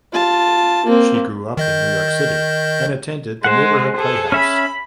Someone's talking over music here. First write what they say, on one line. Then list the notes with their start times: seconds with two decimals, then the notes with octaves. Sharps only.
She grew up in New York City and attended the Neighborhood Playhouse.
0.13 F4 A5
0.85 A#3 C4
1.57 D#3 D#5 G6
3.44 G#3 C5 F#5
3.97 G#4 A4
4.32 C#4 E5 G#5 B5